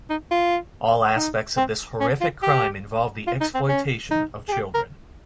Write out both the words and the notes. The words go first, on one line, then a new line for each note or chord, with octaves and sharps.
All aspects of this horrific crime involve the exploitation of children.
D#4
F4
D#4
C4
C#4
F4
G4
F4
D#4
C4
C#4
D#4
G#4
G4
A#4